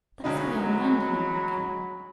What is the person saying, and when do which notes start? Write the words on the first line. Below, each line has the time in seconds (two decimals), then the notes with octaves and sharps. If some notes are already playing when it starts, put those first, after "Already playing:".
'That's beyond London, I reckon?
0.24 D2 C#3 F#3 G#3 D#4 A#5 B5